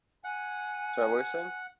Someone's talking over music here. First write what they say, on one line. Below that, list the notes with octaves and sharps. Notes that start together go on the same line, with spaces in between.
Sorry, what were you saying?
F#5 G#5